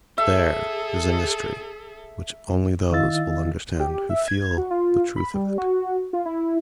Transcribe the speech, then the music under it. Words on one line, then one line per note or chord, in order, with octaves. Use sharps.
There is a mystery which only those will understand who feel the truth of it.
G#4 A4 E5
D#3 E4 D#5 F5 E6 A6
G4
E5
G#6
F#4
F4
B5
G3
F#4
F4
E4